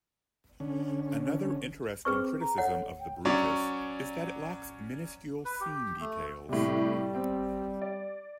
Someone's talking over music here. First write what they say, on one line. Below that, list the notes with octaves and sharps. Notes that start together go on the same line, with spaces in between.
Another interesting criticism of the Brutus is that it lacks miniscule scene details.
D3 C#4
C4 G#4 B4 C#6
A#5
A4 C#5 F#5
G5
F#3 C#4 D5
B4
G4
A3
A2 C3 G3
C4
D5